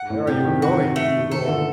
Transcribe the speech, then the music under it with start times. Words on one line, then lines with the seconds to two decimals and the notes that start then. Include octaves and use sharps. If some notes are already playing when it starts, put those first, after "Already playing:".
"Where are you going, you rogue?"
Already playing: F#5
0.10 A2
0.27 C3 G4
0.45 D#3
0.62 F#4
0.96 A3
1.31 D#3 A4
1.48 D3